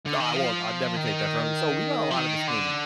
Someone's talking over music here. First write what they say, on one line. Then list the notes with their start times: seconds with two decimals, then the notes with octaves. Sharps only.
No, I won't, I'd never take that from you. So, we got a lot of the same
0.06 D3
0.20 D#3
0.36 F3
0.97 D#3
2.10 F3
2.17 D#3
2.48 D3